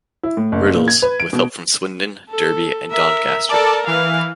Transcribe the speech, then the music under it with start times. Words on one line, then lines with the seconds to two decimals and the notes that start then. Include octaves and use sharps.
Riddles, with help from Swindon, Derby and Doncaster.
0.23 E4
0.37 A2
0.52 F#1
0.74 A#2
0.88 G#6
1.02 B4
1.20 D7
1.33 B2
2.29 A4
2.91 A#4 E5
3.49 A4 A#4 D5 A5
3.87 E3 F5